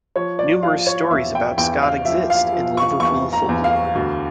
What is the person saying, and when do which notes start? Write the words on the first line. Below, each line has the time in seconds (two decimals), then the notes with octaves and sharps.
Numerous stories about Scott exist in Liverpool folklore.
0.16 F3 C#5
0.39 D5
0.63 F3 F5
0.87 C#5
1.10 E2 E5
1.35 G5
1.58 E2 G5
1.83 F5
2.05 F3 E5
2.30 F5
2.53 F3
2.77 C#6
3.00 E2 C#6
3.33 A#5
3.49 E2
3.64 F5
3.95 D2